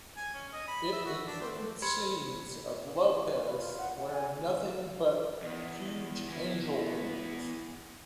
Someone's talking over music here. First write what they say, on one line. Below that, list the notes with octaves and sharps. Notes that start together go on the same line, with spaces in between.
It includes scenes of Lopez "wearing nothing but huge angel wings".
G#5
C#4
D#5
B5
E5
F#4
D4
C4
G4 C5 B5 C6 G#6 C#7
B4
F4
F#5
C#3
G#5
D2
E2
E3 B3